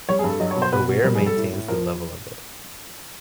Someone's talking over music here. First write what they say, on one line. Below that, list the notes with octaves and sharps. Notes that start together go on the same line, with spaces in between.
A weir maintains the level of it.
G3 C#5
G#4
G2
A4
F#3 D#5
C#5
B2
C5
B2 B4
B2
G3 A#4
G#4
G3
A4
A2
A2
F3 A#4